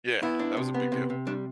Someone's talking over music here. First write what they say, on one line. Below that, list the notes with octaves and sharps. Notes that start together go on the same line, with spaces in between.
Yeah, that was a big deal.
B3 E4
D4
C3
B3
C3
C3
G3 D4